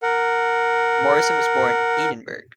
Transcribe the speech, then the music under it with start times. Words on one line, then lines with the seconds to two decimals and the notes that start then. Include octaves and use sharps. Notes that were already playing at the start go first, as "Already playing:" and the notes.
Morison was born in Edinburgh.
0.03 A#4 F#5